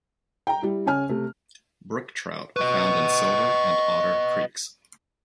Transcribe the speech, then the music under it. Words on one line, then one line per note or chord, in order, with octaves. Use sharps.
Brook trout are found in Silver and Otter creeks.
G5 A#5
G3 E4
C#3 C#4 G#5 F6
C3 A3
B4 D#5 C#6